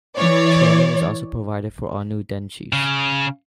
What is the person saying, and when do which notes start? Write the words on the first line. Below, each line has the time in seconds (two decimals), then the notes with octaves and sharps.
Training is also provided for all new den chiefs.
0.16 E3 C#5 D5
2.73 C#3